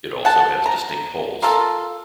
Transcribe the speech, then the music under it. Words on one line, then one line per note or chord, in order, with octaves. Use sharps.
It also has distinct holes.
F#5 A5
A#5
A#3 F4 A4